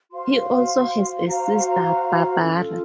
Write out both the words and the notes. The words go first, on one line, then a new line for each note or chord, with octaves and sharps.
He also has a sister, Barbara.
F#4 C5 F5 C6
F#4 C5 F5 A#5
C#4 F4 A4